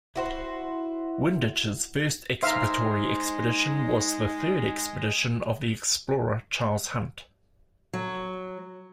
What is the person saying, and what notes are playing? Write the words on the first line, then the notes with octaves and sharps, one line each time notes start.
Windich's first exploratory expedition was the third expedition of the explorer Charles Hunt.
E4 F#4 C5
G#3 D#4 C5 E5 F5 A#5
F#3